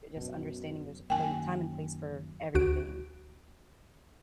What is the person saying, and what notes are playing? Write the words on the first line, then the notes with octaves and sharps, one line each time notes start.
just understanding there's a pla time and place for everything
F#2 B2
F#2 D#3 A#3 G5 G#5
D2 F#4 D7